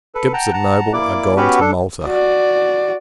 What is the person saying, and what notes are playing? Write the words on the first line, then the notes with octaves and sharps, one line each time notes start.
Gibbs and Noble are gone to Malta.
A4 B4
F#5 G5 A5 A#5
F#5 A5 A#5
A#3 E4 D5 D6
B3 C#4 F#4 G4 B4
D4 A4
F#4 D5